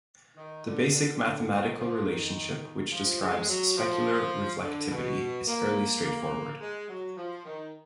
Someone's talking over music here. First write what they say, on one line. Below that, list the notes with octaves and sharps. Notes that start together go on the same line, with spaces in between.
The basic mathematical relationship which describes specular reflectivity is fairly straightforward.
D#3
D3
D3
D#3
F3
D#3
F3
G#3
F#3
F3
D3
B2
A#3
A#3
G#3
F#3
F3
D#3